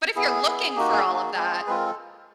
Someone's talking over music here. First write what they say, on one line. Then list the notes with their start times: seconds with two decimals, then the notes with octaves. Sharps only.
But if you're looking for all of that,
0.16 B3 E4 G#4
0.46 B3 E4
0.76 A#3 D#4 F#4 G4
0.92 G#4
1.06 A#3 D#4 F#4
1.36 G#3 C4 F4
1.67 G#3 C4 F4 B4
1.76 A#4
1.86 A4